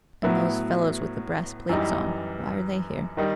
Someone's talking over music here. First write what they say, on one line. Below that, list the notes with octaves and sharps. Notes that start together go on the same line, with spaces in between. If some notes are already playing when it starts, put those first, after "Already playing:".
And those fellows with the brass plates on, why are they here?
A2 F#3 B3 E4
F#2 E3 G3 D#4
D#3 G3 D#4